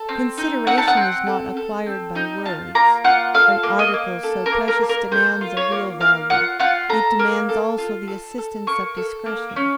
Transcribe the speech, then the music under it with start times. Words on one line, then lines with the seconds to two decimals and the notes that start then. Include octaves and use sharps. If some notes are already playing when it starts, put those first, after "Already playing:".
Consideration is not acquired by words; an article so precious demands a real value; it demands also the assistance of discretion.
Already playing: A4
0.09 C4
0.38 D#4
0.67 C4 F#5
0.78 A5
0.88 F#5
0.97 C4
1.27 A4
1.57 A4
1.86 C4
2.15 D#4
2.45 F4 A5
2.75 A#3 A#5
3.04 F4 F#5
3.34 A4 F5
3.63 A#3
3.79 D#5
3.94 A#3
4.23 A4
4.46 A#4
4.52 A#3
4.68 A#4
4.82 A#3
4.89 A#4
5.12 A4 C5
5.41 F4
5.57 C#5
5.72 A#3
6.00 A#3 F5
6.30 F4 F#5
6.59 F4 F#5
6.89 A4 A#5
7.19 A#3
7.49 A4
7.78 F4
8.08 A4
8.38 A4
8.67 A#3 C#6
8.97 A4
9.26 A#3
9.56 C#4